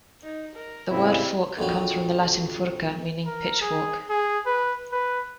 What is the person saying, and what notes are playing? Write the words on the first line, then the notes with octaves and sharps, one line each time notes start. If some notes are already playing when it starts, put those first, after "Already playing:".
The word "fork" comes from the Latin "furca", meaning "pitchfork".
D#4
A#4
A2 C#3 G3 C4 E4
A#1 F2 F#3
A#4
G#4
G#4
B4
B4